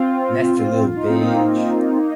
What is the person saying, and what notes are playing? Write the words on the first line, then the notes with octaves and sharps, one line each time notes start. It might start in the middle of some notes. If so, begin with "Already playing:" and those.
Nasty Lil bitch!
Already playing: C4 F4
F4
D#4
C4
A#3 D#4
A#3 D#4